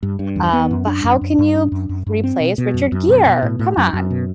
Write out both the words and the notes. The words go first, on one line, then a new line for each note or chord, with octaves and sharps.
um, but how can you p replace Richard Gere? Come on.
G2
G2
E2
B3
F#2
D4
F#2
F#2
G2
D4
F#2
F#2
G2
C4
B2
B2
F#2
F#2
B2
B2
A2
A2
F#2
F#2
B2